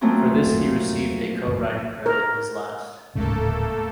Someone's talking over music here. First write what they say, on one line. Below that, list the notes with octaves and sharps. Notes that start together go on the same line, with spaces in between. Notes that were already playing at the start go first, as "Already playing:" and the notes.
For this he received a co-writing credit, his last.
F3 F#3 A3 A#3 C4 C#4
A#4
D1 G#2 C#3 A3 A#3 A4